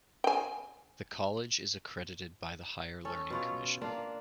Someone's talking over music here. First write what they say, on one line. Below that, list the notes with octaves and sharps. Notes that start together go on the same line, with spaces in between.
The college is accredited by the Higher Learning Commission.
G5 G#5
C#4 A4
B2 F4 C#5
A#3 D4 F4